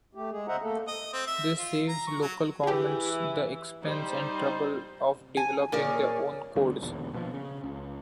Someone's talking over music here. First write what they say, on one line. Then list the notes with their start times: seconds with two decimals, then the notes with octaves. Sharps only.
This saves local governments the expense and trouble of developing their own codes.
0.15 A3 G4
0.31 G#3 G#4
0.48 C#3 C5 D#5 E5 F#5 A#5
0.62 A3 A#3 A4
0.88 D#5
1.13 C4
1.27 E5
1.59 F4
1.88 A#5
2.07 C#6
2.21 F#3
2.63 E3 G4 G#4
3.83 G3 D#4 C5
5.37 G#5
5.72 A#2 G#4 A#4 C#5 D5
6.55 G1 D2 G2
6.82 E1 A#1 D#2 D3
7.13 A#1 B2 E3 F3
7.34 C#3
7.63 C#2